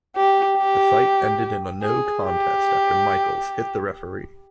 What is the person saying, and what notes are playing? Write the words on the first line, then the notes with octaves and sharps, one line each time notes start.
The fight ended in a no contest after Michaels hit the referee.
G4
G4
G#4
G4